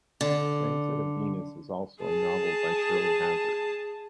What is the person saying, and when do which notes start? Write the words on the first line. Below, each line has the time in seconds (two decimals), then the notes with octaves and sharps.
"Transit of Venus" is also a novel by Shirley Hazzard.
0.21 D3
2.01 G#4 A5